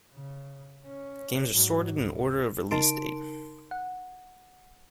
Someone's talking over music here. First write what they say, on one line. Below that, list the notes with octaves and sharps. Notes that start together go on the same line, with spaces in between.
The games are sorted in order of release date.
C#3
C#4
G#2 F#3
C#2
C#3 D#4 A#4 A5 C6 D7
F#5